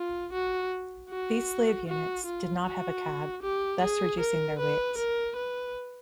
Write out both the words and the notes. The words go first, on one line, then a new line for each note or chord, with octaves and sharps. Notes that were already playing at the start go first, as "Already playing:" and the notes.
These slave units did not have a cab, thus reducing their weight.
Already playing: F4
F#4
F#4
F#4
F4
F#4
G4
G#4
A#4
B4
A#4
B4